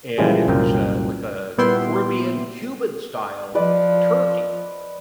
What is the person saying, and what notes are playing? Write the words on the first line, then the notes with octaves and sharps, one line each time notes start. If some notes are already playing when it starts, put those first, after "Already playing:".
and it was, uh, like a Caribbean-Cuban style turkey
A#2 C#3 E3 F3 G3 G#3
C2 F#2 A#2 C4 A#4 G5
A#2 G3 B3 E4 G5 C6
F3 B4 D5 D#5